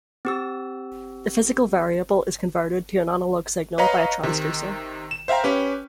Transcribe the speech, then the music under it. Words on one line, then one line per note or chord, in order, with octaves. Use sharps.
The physical variable is converted to an analog signal by a transducer.
C4 G4 E6
B4 C#5 D#5 F5 A#5
C3 D#3
E7
C5 E5 F5 G5 A#5
C#4 G4 B4